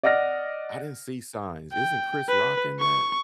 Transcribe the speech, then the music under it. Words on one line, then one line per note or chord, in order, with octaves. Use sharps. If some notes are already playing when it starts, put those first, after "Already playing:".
I didn't see signs, isn't Chris Rock in that?
D5 D#5 F#5 F6 A#6
G5
B4
C#6